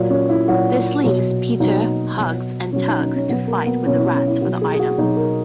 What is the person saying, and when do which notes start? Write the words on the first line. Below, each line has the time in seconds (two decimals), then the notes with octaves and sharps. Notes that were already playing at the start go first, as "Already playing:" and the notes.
This leaves Peter, Hugs and Tugs to fight with the rats for the item.
Already playing: A#2 F#3
0.10 C#4
0.29 E4
0.48 A#2 F#3 F#4
1.04 B2 F#3
1.60 B2 F#3 D#4
2.17 B2 F#3
2.73 B2 F#3 C#4
2.87 D#4
3.00 C#4
3.15 C#4
3.29 B2 B3
3.33 F#3
3.47 A#3
3.66 B3
3.86 B2 F#3 C#4
3.99 E4
4.14 C#4
4.27 E4
4.41 B2 F#4
4.47 F#3
4.61 G#4
4.74 G#4
4.79 F#4
4.98 B2 D#4
5.02 F#3
5.16 A#4